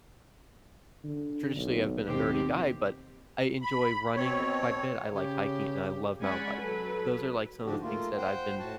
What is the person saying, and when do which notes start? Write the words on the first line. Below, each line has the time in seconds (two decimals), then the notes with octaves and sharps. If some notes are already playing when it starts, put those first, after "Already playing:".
Traditionally, I've been a nerdy guy, but I enjoy running quite a bit, I like hiking, and I love mountain biking. Those are, like, some of the things that I've been,
1.04 D3
1.55 B1
2.06 D#2 B2 C4 G4
3.62 B5
4.16 B2 C4 C#5
5.14 C#3 G4
6.21 G#3 C#4 D5 F#5 G#5 B5
6.58 F#3 A4 B4
7.66 G#2 D3 F3 D4 F#4 G4
7.82 A3 A#3 F4
8.17 C5 F#5 G5
8.59 A2 F#4 F#5 A5